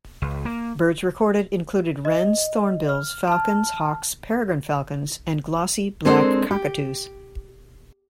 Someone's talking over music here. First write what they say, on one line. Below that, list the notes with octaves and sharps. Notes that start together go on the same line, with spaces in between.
Birds recorded include wrens, thornbills, falcons, hawks, peregrine falcons and glossy black cockatoos.
C#2
A#3
D#5
F6
A5 F6
G#3 C4 D4 A4 A#4 C5
G4